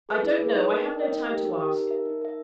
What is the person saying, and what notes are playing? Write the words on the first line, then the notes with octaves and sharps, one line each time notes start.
'I don't know,--I have no time to ask.
G#4 B4 E5
E4
G#4 B4 E5
D#4
A#4 D#5 G5
D#4
A#4 D#5 G5
D#4
G4 A#4
D#4
G4 A#4
D#4
A#4 E5
D#4
A#4 E5